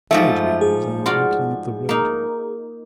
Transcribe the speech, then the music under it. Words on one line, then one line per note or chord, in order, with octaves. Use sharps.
Stage-wheels are rattling up the road.
G#2 F3 A3 E5
G#4
F4 F#4 D5
A#3 D#4